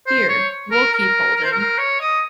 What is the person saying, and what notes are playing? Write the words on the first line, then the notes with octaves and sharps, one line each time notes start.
Here, we’ll keep holding.
C5
C#5
A#4
A#4
A#4
C5
A#4
C#5
D#5